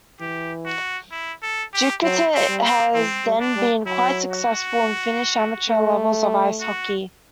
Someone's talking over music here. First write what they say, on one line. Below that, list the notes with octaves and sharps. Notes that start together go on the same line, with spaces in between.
Jukurit has then been quite successful in Finnish amateur levels of ice hockey.
E3 G4
F#4
E4
A4
G4
F#3 C4
C4
G3
C4
E3 C4
G3
D4
G3
F#3 E4
F#4
A3
F#4